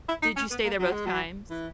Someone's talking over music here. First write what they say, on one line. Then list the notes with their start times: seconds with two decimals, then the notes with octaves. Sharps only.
Did you stay there both times?
0.09 E4
0.22 D#4
0.36 C#4
0.50 B3
0.64 A#3
0.79 F#3
0.93 G#3
1.06 F#3
1.50 E3